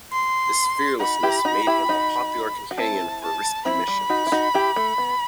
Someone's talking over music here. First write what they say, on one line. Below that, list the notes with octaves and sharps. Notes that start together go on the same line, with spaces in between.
This fearlessness made him a popular companion for risky missions.
C6
D#4 F#4 B5
E4 G4
D#4 F#4
E4 G4
D#4 F#4
F#4
C4 E4 A5
A5
C4 E4 B5
G3
D#4 F#4
E4
D#4 F#4
E4 G4
A3
B3